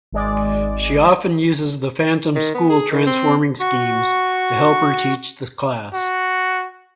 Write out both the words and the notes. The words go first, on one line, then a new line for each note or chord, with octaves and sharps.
She often uses The Phantom's school transforming schemes to help her teach the class.
G#1 G#3 D5
D#3
B3
G#4
D#3
C4
F#4 C#6
F#4